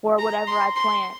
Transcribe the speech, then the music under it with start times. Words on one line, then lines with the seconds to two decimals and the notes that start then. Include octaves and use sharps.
for whatever I plant
0.19 A#5
0.47 C6
0.76 C6